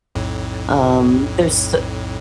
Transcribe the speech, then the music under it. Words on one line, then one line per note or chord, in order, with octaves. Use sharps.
um, there's s
B1 F2 A2